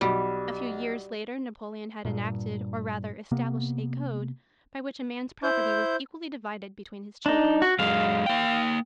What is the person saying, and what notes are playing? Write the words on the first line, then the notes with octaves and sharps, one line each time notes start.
A few years later Napoleon had enacted or rather established a Code by which a man's property was equally divided between his children.
B1 G3
G2 A#2
C3 A#3 B3
E4 C5 G6
D4 D#4
F#4
F#2 G#3 F5
A#3 G5